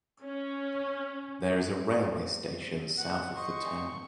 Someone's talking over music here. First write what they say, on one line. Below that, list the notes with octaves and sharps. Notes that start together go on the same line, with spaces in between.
There is a railway station south of the town.
C#4
F#5
C5 D#5 C#6